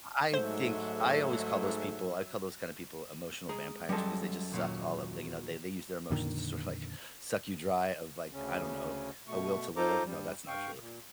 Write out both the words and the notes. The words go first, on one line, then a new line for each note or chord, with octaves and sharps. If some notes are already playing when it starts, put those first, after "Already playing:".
I think I always call those people I call those kind of people emotional vampires because they just suck all of the you know, they they use their emotions to sort of, like, suck you dry of, like, I don't know, a will to live. No, that's not true.
G#2 F#3 A3 C5 E5
G#3 G#4 A#5
F#2 G3 G#3 A4
D#2 A#2 F#3
F2 A#2 D3 D#3
D2 C#3 C#4
B2 A3 C#6
D#4 F4 A4 C5 A#5 D6
G2 G3
G2 F5 G5 C#6
A#2